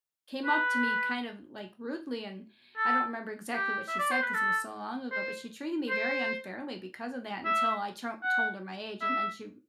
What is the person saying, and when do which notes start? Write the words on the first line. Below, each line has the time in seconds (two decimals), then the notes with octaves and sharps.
came up to me, kind of, like, rudely, and I don't remember exactly what she said 'cause it was so long ago, but she treated me very unfairly because of that until I t told her my age, and then she,
0.44 B4
2.77 A4
3.55 G4
3.88 E5
3.99 D5
4.11 C5
4.22 B4
4.34 A4
5.11 C5
5.90 C5
7.45 E5
8.23 F#5
9.01 E5